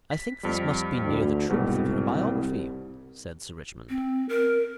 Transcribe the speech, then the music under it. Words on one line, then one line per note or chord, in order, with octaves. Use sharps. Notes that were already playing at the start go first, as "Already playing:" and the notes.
"I think this must be near the truth of her biography," said Sir Richmond.
B6
F2 G3
D2
C2 G#2 B2 G3
C4
A#4